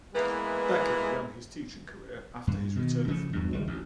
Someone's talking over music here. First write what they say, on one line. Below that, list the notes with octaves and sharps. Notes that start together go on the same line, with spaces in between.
Becker began his teaching career after his return from the war.
E3 G#3 A#3 B3 E4
G2
B2 D#3
C#3 F3 A3
E2 G2
G#1 C#2 G3
A1 D2